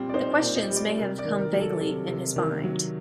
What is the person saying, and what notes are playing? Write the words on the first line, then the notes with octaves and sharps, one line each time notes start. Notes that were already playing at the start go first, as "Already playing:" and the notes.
The questions may have come vaguely in his mind.
Already playing: A#2 G3 C4
D5
D#4 C5
D5
A#2
D#5
G3
D5
C3 A#4
D5
D#3
A#4
F#3
A4
C3
C3
D#3
F#3